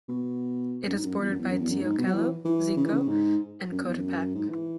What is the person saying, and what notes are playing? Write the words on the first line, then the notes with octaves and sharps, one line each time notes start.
It is bordered by Teocelo, Xico and Coatepec.
B2
F#2
G#2
F#2
E2
F#2
E2
F#2
E2
F#2
G#2
B2
F#3
E3
E3
C#3
E3
C#3
G#2
F#2
E2
F#2
G#2
E3